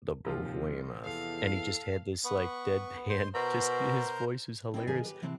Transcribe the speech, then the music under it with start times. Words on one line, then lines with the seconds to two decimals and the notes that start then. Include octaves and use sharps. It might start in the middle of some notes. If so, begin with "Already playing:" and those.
the Behemoth," and he just had this, like, deadpan. Just his voice is hilarious,
0.25 D#2 C3 F3 F4
1.05 E2 A4 F5
2.25 B3 B4 C#6
3.10 C5 C6
3.34 B2 A#4 C5 A#5
4.74 C4 E4 D5 D#5 G5
4.87 D3 D#3 G#4 A#4 D#5 G#5
5.04 G4 B4
5.22 C3 E3 C4 A5